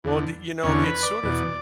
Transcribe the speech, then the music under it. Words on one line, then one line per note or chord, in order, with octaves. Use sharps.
Well, d it's sort of
E2 D3
E2 D3 C#4
B4
D5
E2 B2